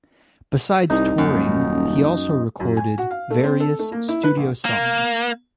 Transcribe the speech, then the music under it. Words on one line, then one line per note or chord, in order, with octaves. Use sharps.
Besides touring he also recorded various studio songs.
C2 D#4
D#1 F#2
F#2
G#5
F#4
F5
A3
C4
A4
A3
A#3
E4
B4
A#1
A#3